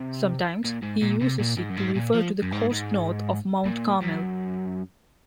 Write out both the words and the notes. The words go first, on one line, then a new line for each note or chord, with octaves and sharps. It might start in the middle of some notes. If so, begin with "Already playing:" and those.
Sometimes, he uses it to refer to the coast north of Mount Carmel.
Already playing: C3
A#2
G#2
A#2
C3
A#2
G#2
F#2
G#2
A#2
F3
F#2
G#2
G#2
A#2
F#2